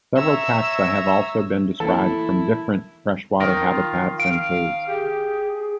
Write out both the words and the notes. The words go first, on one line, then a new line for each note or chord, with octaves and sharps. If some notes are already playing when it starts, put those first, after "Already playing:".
Several taxa have also been described from different freshwater habitats and caves.
C#5 E5 A#5 E6
E3 A3 A#3 E4 A4
D#3 F4 A#4
F5 D7
G4 G#4